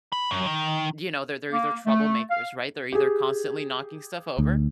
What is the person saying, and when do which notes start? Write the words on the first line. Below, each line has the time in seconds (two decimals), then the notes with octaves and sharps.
you know, they're they're either troublemakers, right? They're either constantly knocking stuff over
0.12 B5
0.31 F#2
0.46 D#3
1.51 A#3
1.86 A3
2.29 F5
2.92 G4 G#4
4.39 D2